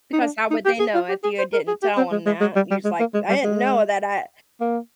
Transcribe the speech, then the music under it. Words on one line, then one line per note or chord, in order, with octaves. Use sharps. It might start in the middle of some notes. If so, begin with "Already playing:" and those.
Because how would they know if you had didn't tell 'em that? You're just like, "I didn't know that I"
D#4
D4
D#4
G4
G#4
F4
G4
G#4
C5
A#4
G#4
G4
C4
G#3
G#3
G#3
G3
G3
G#3
A#3
G#3
G3
G#3
A#3